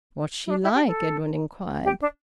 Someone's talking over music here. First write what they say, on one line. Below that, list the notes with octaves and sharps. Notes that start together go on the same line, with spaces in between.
"What's she like?" Edwin inquired.
E4
D4
E4
G4
A4
G4
D4